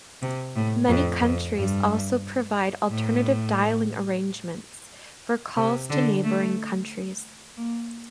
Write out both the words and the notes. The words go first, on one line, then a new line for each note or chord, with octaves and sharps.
Many countries also provide alternative dialling arrangements for calls to neighbouring countries.
C3
A2
F2
F2
G2
A2
C3
D3
A3
A#3